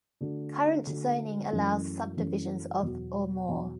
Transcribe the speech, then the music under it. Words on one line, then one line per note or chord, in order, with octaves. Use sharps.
Current zoning allows subdivisions of or more.
D3 A3 D4 F#4
D3 A3 D4 F#4
F#2 E3 A3 C#4
F#2 E3 A3 C#4
E2 B2 F#3
E2 B2 F#3